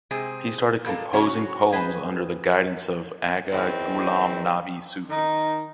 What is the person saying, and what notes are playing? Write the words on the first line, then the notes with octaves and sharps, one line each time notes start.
He started composing poems under the guidance of Agha Ghulam Nabi Sufi.
C3 G#3 C4 G#4
G3 G#3 A#3 F4 A4
C#3 F#3 C#4 F#4 C#5
G#4 B4 C5 D#5 G5 A5
E2 D#3 C4
D#3 D#4